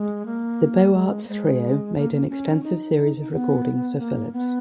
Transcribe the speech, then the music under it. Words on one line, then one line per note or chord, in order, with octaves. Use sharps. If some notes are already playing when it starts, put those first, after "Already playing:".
The Beaux Arts Trio made an extensive series of recordings for Philips.
Already playing: G#3
A#3
G#3
A#3
G#3
A#3
A#3
C#4
D#4
B3
A#3
B3